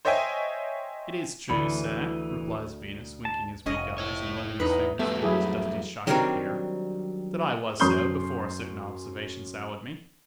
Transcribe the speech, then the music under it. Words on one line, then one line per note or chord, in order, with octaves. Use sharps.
'It is true, sir,' replies Venus, winking his weak eyes, and running his fingers through his dusty shock of hair, 'that I was so, before a certain observation soured me.
C5 C#5 D#5 E5 G5 G#5
D2 E3 B5 C#7
A5
F1 C#4 D#5
E4 C#5
E2 D#4 B4
F2 G3 A3 B3 A4 E5
F#3 E4 G#4
D#3 F#3 G3 C4 D4 A#4
F#2 C#4 C6 D#6 G6 G7